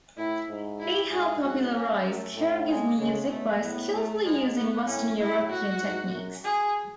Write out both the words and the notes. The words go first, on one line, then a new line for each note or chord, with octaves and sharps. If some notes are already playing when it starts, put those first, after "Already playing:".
He helped popularize Kyrgyz music by skillfully using Western European techniques.
A2 E4
G#2
E4
G#2 G#4
F#4
C#4
F#2 A3
A2
G#3
C#3 G#3
B2 A3
A2 B3
A3
G#2 G#3
B3
A2 C#4
A2 E4
F#4
G#2
F#2
G#4